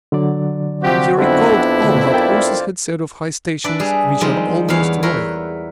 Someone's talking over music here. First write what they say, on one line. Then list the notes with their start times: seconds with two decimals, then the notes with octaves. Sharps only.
He recalled all that Ursus had said of high stations which are almost royal.
0.12 D3 F#3 D5
0.82 C3 F3 C4 F#4 G4
1.18 F2 B3 D4 E4
1.84 D3 A3
2.14 A#4 C5 D5 F5 G5
3.64 D4 B4 D5 E5
3.80 G3 G#4
4.21 D#3 F3 G3 G#3 C4
4.69 E2 B3 C#5 F5
5.03 A#4 B4 C#5 E5 C6